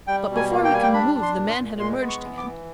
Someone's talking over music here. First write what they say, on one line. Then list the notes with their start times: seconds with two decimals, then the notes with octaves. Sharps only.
But before we could move, the man had emerged again.
0.07 G3 G5
0.29 B2
0.36 G#5
0.51 A#3
0.65 G5
0.72 G3 G#5
0.83 G5
0.94 D4 B5
1.15 D4
1.22 C6
1.37 A#2
1.50 C6
1.58 A#2
1.80 G#3 C6
2.01 B3
2.08 C#6
2.23 E3
2.37 D6
2.44 E3